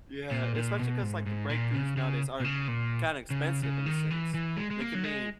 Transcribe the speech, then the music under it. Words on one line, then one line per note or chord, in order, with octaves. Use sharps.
Yeah, especially 'cause, like, the breakthroughs nowadays are kinda expensive in a sense. They can be
A#2
A#2
B2
G#2
G#2
A#2
C#3
C#3
B2
C#3
A#2
C#3
C#3
D#3
E3
E3
G#3
G#3
A#3
F#3
G#3